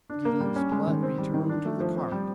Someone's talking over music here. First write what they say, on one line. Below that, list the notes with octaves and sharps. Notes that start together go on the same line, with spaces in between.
Gideon Spilett returned to the cart.
D4
A#3
G3
C#4
G#3
D#3
C4
G3
D#3
D4
A3
F3
C4
G3